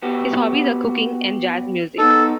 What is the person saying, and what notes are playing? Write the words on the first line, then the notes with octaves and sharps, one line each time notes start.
His hobbies are cooking and jazz music.
B3 F#4 G4
B3 D#4 A4